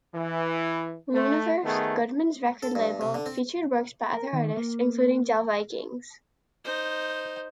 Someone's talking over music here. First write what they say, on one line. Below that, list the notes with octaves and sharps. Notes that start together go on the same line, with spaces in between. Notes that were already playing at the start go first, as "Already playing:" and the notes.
Luniverse, Goodman's record label, featured works by other artists, including the Del-Vikings.
E3
A3
D#3 A3 B3 G#4
A4
G2
C3
D3
C4
A#4
D#3
A#3
D#4 C5